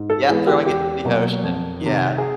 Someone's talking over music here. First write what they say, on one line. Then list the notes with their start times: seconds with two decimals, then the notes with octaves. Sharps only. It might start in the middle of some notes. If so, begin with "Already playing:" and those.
yep, throwing it into the ocean. Yeah.
Already playing: G#2
0.10 A4
0.29 E3 G#3 B3 G#4
0.47 G4
0.67 E2 G4
1.05 B2 F#3 A#3
1.43 F2
1.81 C3 D#3
2.18 G#4